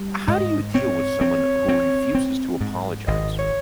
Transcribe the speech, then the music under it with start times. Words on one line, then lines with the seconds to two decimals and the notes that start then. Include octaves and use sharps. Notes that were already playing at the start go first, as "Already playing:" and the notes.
How do you deal with someone who refuses to apologize?
Already playing: G3
0.28 G#2 D#5
0.75 C4 C#5
1.21 C4
1.69 C4
2.15 C4
2.61 G#2
3.07 G#1 D#5
3.39 C#5